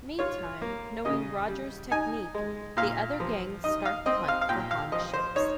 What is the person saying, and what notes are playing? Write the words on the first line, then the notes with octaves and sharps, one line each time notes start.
Meantime, knowing Rogers' technique, the other gangs start the hunt for Han ships.
F4 C#5
A#3
C#3 D#5
G3
D#4 G#5
G#3
A#2 F5
F3
D#4 D#5
F5
C4 D#5
F5
F5
A#2 G5
F5
F3 D#5
C5
D#4 C#5